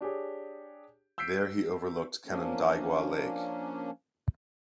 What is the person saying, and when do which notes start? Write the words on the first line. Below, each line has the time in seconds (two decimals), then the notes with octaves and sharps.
There he overlooked Canandaigua Lake.
0.01 D4 G4 G#4 C#5
1.18 E6 G6 B6 C7 D7
2.26 F3 A#3 C#4 D4